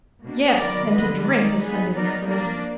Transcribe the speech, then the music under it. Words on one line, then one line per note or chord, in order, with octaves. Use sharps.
"Yes, and to drink," assented Nicholas.
B2 A#3 D4
D#3 F#3 B3 A#4 D5
D3 F3 B3 B4 D#5
D#3 G#3 D#4 A#4 D5
F3 B3 D#4 G#4 B4
F3 B3 D#4 A#4 D5
F3 A#3 D4 A#4 D5